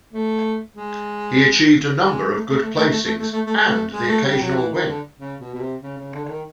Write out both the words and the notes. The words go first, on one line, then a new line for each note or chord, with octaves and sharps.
He achieved a number of good placings and the occasional win.
A3
G#3
G#3
A3
A3
A3
A3
A3
A3
A3
A3
A3
A3
G#3
A3
G3
F#3
E3
D#3
D3
C#3
B2
B2
C3
C#3
C#3
D3
D3
D#3